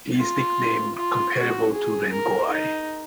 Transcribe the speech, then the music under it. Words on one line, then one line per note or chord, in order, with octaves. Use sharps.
He is nicknamed "Comparable to Rengui".
F4
F4
F#4
G#4
A#4
D#4